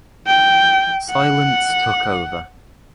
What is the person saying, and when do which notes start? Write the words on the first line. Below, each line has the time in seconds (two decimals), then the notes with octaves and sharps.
Silence took over.
0.27 G5
1.11 F#5